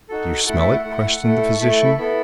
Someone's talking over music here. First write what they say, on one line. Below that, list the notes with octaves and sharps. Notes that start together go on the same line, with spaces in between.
"Do you smell it?" questioned the physician.
D#4 F#4 A4
A3 E4 A4 F#5
E5
F#5
A3 E4 A4 F#5
A3 E4 A4
C#6
A3 E4 A4 B5
C#6
B5
B3 E4 A4 B5